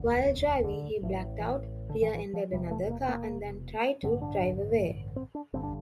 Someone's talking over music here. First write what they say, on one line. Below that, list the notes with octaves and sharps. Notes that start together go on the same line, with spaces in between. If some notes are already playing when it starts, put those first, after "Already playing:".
While driving, he blacked out, rear-ended another car, and then tried to drive away.
Already playing: E1 D2
D3
A1 A2
E3
D3
E3
E3
F3
E1 E2 C3 G3
A3
A#3
A#3
A1 G2 D3 C4
D4
C4
D4
G1 G2 D3 C4
D4